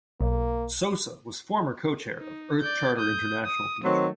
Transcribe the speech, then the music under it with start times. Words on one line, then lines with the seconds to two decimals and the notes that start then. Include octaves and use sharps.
Sosa was former Co-Chair of Earth Charter International Commission.
0.21 B1 A#3
2.18 D#4
2.60 D5 G6
2.98 D#6 G6
3.45 D#6
3.84 D#3 F#3 A3 C4